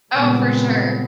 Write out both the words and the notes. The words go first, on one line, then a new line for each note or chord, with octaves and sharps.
Oh, for sure.
A#2 C#3 G3 G#3 B3 C4